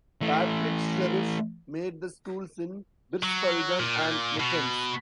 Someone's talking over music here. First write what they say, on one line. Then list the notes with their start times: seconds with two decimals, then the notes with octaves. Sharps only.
Patrick Streiff made the schools in Birsfelden and Muttenz.
0.21 E3 A3
3.23 F#3
3.79 A#2
4.40 B2